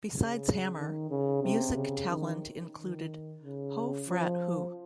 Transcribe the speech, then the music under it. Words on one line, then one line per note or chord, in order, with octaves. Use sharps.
Besides Hammer, music talent included Ho Frat Hoo!
C#3
D#3
C#3
C3
C#3
D#3
D#3
C#3
F3